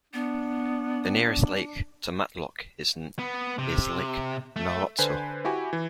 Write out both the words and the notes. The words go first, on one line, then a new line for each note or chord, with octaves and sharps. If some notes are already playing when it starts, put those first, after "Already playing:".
The nearest lake to Matlock is Lake Nahwatzel.
B3 D4
B3
C3
A3
D3 B4 C5 G#5
E4 F#4 G4 G#5
E3